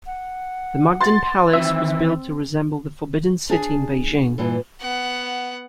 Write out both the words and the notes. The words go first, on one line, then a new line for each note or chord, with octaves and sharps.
The Mukden Palace was built to resemble the Forbidden City in Beijing.
F#5
C6 A6
D#3 E3 C4 E5 E6
D4 G#4
G2 A#2 E3
B3 F#5